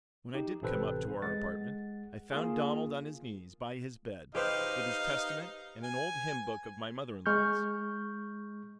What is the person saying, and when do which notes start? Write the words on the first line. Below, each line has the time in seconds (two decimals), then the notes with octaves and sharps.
When I did come up to our apartment I found Donald on his knees by his bed with his Testament and an old hymn book of my mother-in-law's.
0.34 D#4 G4
0.62 A1 C3 C4 A4 B4 C5
1.22 G#3 F#5 A6
2.32 A#3 F4 G#4
4.35 D#4 G4 B4 C5 F5
5.83 G#5
7.26 G#3 C#6 F6 G6